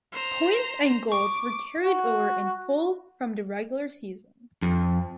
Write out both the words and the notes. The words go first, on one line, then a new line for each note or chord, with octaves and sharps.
Points and goals were carried over in full from the regular season.
C5 A#5
C#6 D6
F#4
F2